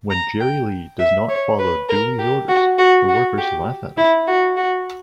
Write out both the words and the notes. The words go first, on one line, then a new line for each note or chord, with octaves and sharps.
When Jerry Lee does not follow Dooley's orders, the workers laugh at him.
A#5
G5
E5
C#5
B4
A#4
G4
F#4
F#4
F#4
G4
E4
F#4
F#4